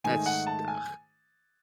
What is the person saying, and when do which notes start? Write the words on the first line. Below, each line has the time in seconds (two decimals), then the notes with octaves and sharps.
That's ugh.
0.04 G#2 D#3 A3 D#4 G#5
0.26 F#5
0.47 A5
0.68 G#5